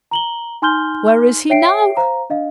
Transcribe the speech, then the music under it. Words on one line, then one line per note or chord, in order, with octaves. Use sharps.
"Where is he now?"
A#5 F#7 G7
D#4 G#5 C6 F6 G6 G7
C#5 E5 G5 C7 D7
C5 F5 A#5
D4 D#5 F5